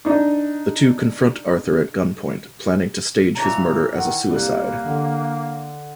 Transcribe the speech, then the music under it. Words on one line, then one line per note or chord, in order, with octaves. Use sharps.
The two confront Arthur at gunpoint, planning to stage his murder as a suicide.
D4 D#4
A#2 E3 C#5 A#5
D#3 F#5
C2 A#3 F#6
D3